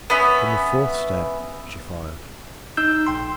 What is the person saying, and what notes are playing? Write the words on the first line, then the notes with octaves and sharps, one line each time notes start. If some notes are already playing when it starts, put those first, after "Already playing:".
From the fourth step she fired.
B3 C#4 E5
D#4 E6 G6
A#1 G5 C6